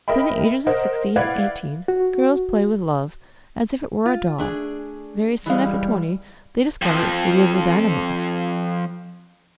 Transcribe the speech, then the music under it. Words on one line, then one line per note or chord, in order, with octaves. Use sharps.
Between the ages of sixteen and eighteen, girls play with love as if it were a doll; very soon after twenty they discover it is a dynamo.
A#4 D#5 E5 G5 B5
A#4 C5 D#5 F#5
E4 B4 D5 F5 F#5 G#6
F#4
F4
A3 D4 G#4
E3 G3 G#3 F5
F2 F3